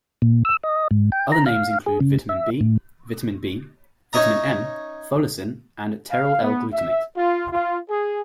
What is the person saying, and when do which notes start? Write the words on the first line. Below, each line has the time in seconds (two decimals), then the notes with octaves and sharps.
Other names include vitamin B, vitamin B, vitamin M, folacin, and pteroyl-L-glutamate.
0.22 A#2
0.45 E6
0.63 D#5
0.91 G#2
1.12 G5
1.32 A#5
1.46 F5
1.86 G#4
2.00 C#3
2.29 E5
2.61 A2
4.13 C#4 D#4 C#5 D#5 E5 A#5
6.10 F5
6.42 B3
6.72 E5
7.15 F4
7.52 F4
7.88 G#4